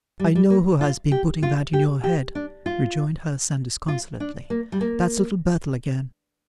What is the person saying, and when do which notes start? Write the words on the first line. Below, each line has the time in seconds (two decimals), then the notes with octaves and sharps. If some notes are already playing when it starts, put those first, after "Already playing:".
'I know who has been putting that in your head,' rejoined her son disconsolately; 'that's Little Bethel again.
0.20 G3
0.35 G3
0.50 A#3
0.81 F4
1.12 G4
1.43 F4
1.73 G4
2.04 G4
2.35 D4
2.66 F4
3.88 F4
4.20 D4
4.50 A#3
4.72 G3
4.81 A#3